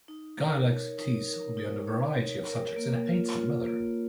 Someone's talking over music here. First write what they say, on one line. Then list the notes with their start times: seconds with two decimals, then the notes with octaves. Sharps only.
Guy likes to tease Sylvie on a variety of subjects, and hates her mother.
0.08 D#4
0.37 A#4
0.67 C#5
0.98 D#4
1.27 A#4
1.57 D#4
1.87 C#5
2.17 C#5
2.47 A#4
2.76 A#3
3.07 F4
3.37 F4
3.67 A#3